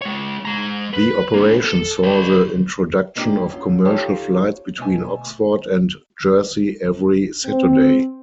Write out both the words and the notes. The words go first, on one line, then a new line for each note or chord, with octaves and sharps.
The operation saw the introduction of commercial flights between Oxford and Jersey every Saturday.
G#3 C#5
G#3 A#5
B4
A#3 D4
A4
B4 C#5
G#3 A#3 B3 D4 F4 G4
F#2 F4
D#4 F4 G4 A4 C#5 F5
B2 A3 G#5
C4